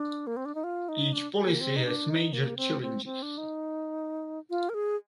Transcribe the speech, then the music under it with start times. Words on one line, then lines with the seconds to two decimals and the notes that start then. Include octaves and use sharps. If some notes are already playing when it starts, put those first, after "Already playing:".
Each policy has major challenges.
Already playing: D4
0.27 A#3
0.37 C4
0.45 D4
0.55 D#4
0.64 F4
0.89 D#4
1.13 D4
1.45 A#3
1.61 C4
1.76 D#4
1.85 D4
2.09 D#4
2.33 A#3
2.57 C4
2.82 C4
3.05 C4
3.22 D4
3.38 D#4
4.50 F4
4.69 A#4
4.74 G#4